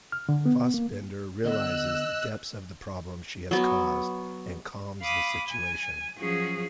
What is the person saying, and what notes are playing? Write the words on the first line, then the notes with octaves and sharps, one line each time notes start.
Fassbender realizes the depths of the problem she has caused and calms the situation.
F6
D3
B3
A#3
D3 B3 D#5 E6 F#6
F#3 B3
F5 B5 D6 D#6
G#5
F3 F#3 C#4 F#4 G#4